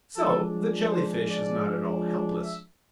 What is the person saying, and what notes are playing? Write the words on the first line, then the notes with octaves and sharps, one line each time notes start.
So the Jelly-fish is not at all helpless.
F3 G#3 D4 A4
C5
D5
E5